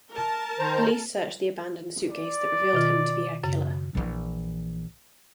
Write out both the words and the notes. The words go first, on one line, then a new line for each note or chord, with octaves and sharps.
Police searched the abandoned suitcase that revealed him to be her killer.
A#4 A5
D#3 C5 A#5
D5
B2 D#3 F4
F#2 C#3
A#1 E3